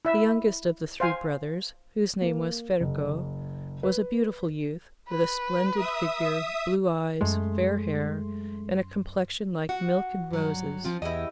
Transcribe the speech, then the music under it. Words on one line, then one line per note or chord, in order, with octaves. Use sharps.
The youngest of the three brothers, whose name was Ferko, was a beautiful youth, with a splendid figure, blue eyes, fair hair, and a complexion like milk and roses.
E4 E5
C5 F5 G#5
A#3
F#1
B4
B4
E5 D#6
F#2 G#3 A3 C6
F#4 F#5
G2 F#3
F3 C4 F4
E2 E4 G4 D#5